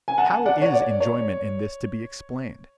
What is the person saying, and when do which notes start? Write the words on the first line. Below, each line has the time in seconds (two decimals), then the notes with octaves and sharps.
How is enjoyment in this to be explained?
0.08 G#5
0.18 F#5 A5
0.46 D5 F#5
0.62 C#5
0.73 D5
1.00 C#5